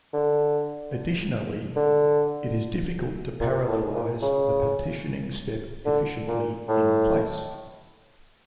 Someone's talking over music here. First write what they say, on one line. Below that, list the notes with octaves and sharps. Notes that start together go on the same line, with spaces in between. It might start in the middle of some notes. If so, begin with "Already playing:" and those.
Additionally, it is difficult to parallelize the partitioning step efficiently in-place.
D3
D3
A#2
A2
A#2
C#3
D3
A#2
A2